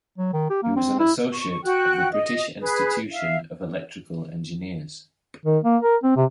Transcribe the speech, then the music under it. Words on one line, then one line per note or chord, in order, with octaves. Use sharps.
He was an associate of the British Institution of Electrical Engineers.
F#3
D#3
G4
A#3
C4
E4
C#6
F#4 G5 F#6
D#5
G#4 B4
E5 F5
D#3
A#3
A#4
C4
C3